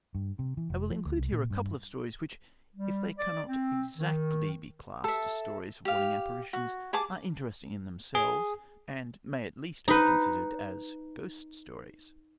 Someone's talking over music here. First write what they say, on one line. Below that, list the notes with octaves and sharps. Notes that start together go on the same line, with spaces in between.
I will include here a couple of stories which, if they cannot exactly be classed as stories of warning apparitions, are interesting in themselves, and may at least be considered as ghost stories.
G2
C3
E3
F1
F3
D2
C2
A#2
G2
G3
D5
C4
D#3
A4 E5
G4 F5
F#4
G#4 G#5 A5 D6
G#4
D#4 B4